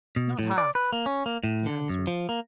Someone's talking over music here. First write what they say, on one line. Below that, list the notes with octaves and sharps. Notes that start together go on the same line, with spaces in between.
"Not half!" he answered.
B2
A2
D5
B4
A#3
C#4
A#3
A2
D3
F#2
F3
A#3